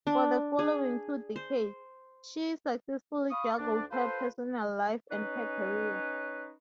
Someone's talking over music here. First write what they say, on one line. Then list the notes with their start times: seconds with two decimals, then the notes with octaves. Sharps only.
For the following two decades, she successfully juggled her personal life and her career.
0.07 D4
0.59 G#4
1.36 C5
3.31 F5 B5 C#6 D#6
3.57 D2 D4
3.91 F4 A4 B4 C5
5.10 C#4 D#4 B4 C#5